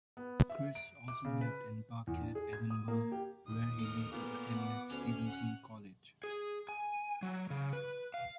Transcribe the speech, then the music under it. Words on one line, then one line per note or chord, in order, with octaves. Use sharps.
Chris also lived in Parkhead, Edinburgh where he later attended Stevenson College.
B3
E5
D7
D6
C#3
B4
E2
D4
G#4
G#6
D#6
A#3
G4
D#2 D#6
A4 A#4
A#2 B3 D6
F#5
D2 C#4
F#5
G#4
G#5
F#3
C#3
B4
F5